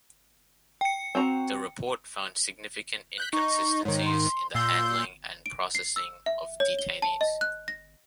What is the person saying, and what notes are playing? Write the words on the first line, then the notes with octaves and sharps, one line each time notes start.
The Report found significant inconsistencies in the handling and processing of detainees.
G5 C#7
C4 F#4 A#5
F#6 G6 B6
D#4 C#6
G#2 D#3 C#5
C6
A#2 C6 E6 G6
D7
C7
E6
E5
C#5
G7
A5
D#5
F#6
A#6